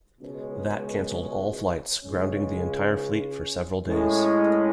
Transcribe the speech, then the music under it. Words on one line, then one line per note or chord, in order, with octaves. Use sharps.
That cancelled all flights, grounding the entire fleet for several days.
C#2 B2 G#3 C#4
C#2 C#3 G#3 C#4
A2 G#3 C#4